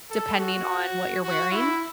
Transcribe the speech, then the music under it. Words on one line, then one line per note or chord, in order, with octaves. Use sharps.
depending on what you're wearing,
A4
F#4
F#4
E4